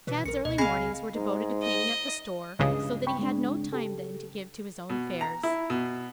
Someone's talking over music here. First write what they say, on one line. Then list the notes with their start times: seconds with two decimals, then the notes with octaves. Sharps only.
Tad's early mornings were devoted to cleaning up the store, so that he had no time then to give to his own affairs.
0.07 B2 E3 B4 C#5
0.26 B1 C4 A#4 C#7
0.45 C#2 B2 D#5
0.58 C#3 C4 G#4 F5 B5 A#6
1.15 G#2
1.63 D#5
2.59 C#2 G2 C#3 D#5 D#6
3.07 G5 B5 C#6
3.19 G#3 C4 D4
3.73 G4 A4
4.90 B2
5.21 A#5
5.43 E4
5.70 B2